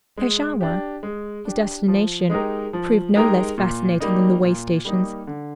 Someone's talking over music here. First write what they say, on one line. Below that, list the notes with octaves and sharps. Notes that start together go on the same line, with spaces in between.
Peshawar, his destination, proved no less fascinating than the way stations.
G#3
D4 G4
G#3
D4 G4
F3
G#3 D#4 G4 A#4
F3
G#3 D#4 G4 A#4
A#2
G3 A#3 D#4
A#2
G3 A#3 D#4
D3